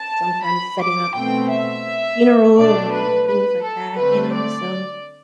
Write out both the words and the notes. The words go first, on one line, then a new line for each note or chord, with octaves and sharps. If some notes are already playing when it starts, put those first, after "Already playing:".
sometimes setting up, you know, the funeral and and things like that, you know, so
Already playing: A5
B5
D6
B2 A3 C4 G5
E5
B2 A3 D4 D5
B4
B4
A4
D3 A3 C4 B4
D5